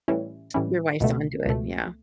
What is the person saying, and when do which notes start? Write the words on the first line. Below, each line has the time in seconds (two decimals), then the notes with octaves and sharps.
Your wife's onto it, yeah.
0.08 A2 E3 G3 C#4 E4
0.54 A2 E3 G3 C#4 E4
1.00 C#2 B2 A3
1.46 C#2 B2 A3